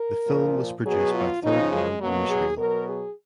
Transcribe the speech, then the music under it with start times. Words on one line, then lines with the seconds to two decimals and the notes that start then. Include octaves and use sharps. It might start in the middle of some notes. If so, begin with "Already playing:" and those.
The film was produced by Third World Newsreel.
Already playing: A#4
0.27 A#2 F3
0.85 B2 F#3 G#4
1.14 F4
1.42 C#3 F3 D#4
1.72 G#3
2.00 B2 F#3 A#3
2.29 G#4
2.58 B2 F#3 A#4
2.87 G#4